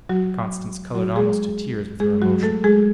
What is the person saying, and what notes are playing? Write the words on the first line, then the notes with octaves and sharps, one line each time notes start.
Constance coloured almost to tears with her emotion.
F#3 F#4
F#3 F#4
G#3 G#4
G#3 G#4
F#3 F#4
A3 A4
G#3 G#4